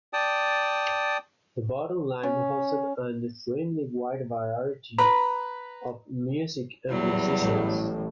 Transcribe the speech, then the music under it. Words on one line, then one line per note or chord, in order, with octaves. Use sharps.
The Bottom Line hosted an extremely wide variety of music and musicians.
D5 G5 A5 D#6
C#4
B4 A#5 B5
E2 F#3 G3
A1 A2